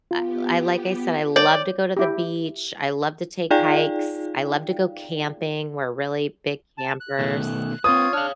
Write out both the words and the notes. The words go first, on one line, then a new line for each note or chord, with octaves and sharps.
I I like I said, I love to go to the beach, I love to take hikes, I love to go camping. We're really big campers,
B3 F4 G4
C#5 D5
E4 G4
D#4 F4 G#4 D5 F5 G5
A5
F#6
B2 D#3 A3
C4 F4 B4 C#5 D#6
D4 C#5 F5 F6